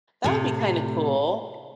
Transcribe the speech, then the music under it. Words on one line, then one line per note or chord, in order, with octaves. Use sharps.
That would be kinda cool.
A2 C3